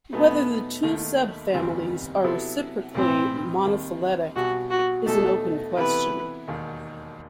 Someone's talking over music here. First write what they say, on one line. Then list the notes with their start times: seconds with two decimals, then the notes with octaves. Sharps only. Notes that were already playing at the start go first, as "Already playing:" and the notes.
Whether the two subfamilies are reciprocally monophyletic is an open question.
0.13 E2 B2 F#3 A3 B3 D#4
0.83 D#2 D#3 A3
1.53 F#1 E2 C3 D#3 G3 C4
2.24 C3 F#3 B3 E4 A4
2.95 B1 A2 E3 C4
3.65 D#2 D#3 G3
4.36 B1 B2 G3 F#4
4.71 F#4
5.06 E2 B2 A3 D#4 A4
5.77 C3 E3 B3 E4 B4
6.48 E1 D#2 D#3